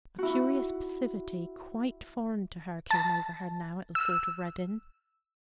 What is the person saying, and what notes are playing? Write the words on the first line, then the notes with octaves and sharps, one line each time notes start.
A curious passivity quite foreign to her came over her now at the thought of Reddin.
E4 F#4
A5
E6